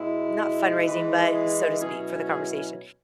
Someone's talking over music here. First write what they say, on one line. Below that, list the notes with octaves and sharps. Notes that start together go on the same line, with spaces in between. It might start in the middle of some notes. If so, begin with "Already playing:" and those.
not fundraising, but so to speak, for the conversation,
Already playing: B2 G#3 E4
E3 G#3 E4 B4
G#4
B2 F#3 C#4 E4 G#4
G#4